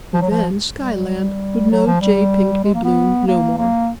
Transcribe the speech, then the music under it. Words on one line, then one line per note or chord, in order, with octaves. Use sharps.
And then Skyland would know J. Pinkney Bloom no more.
F3
F#3
F3
G3
F#3
F3
G3
G#3
A#3
B3
A#3
A#3